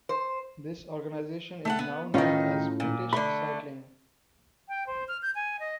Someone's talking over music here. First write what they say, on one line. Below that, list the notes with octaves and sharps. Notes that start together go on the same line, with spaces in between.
This organization is now known as British Cycling.
C5
A3 A4 F#5
B3
A2 D#3 C#4 D#4 F4
A#2
D3 A3 B5
G5
C5
F6
G6
G#5
D#5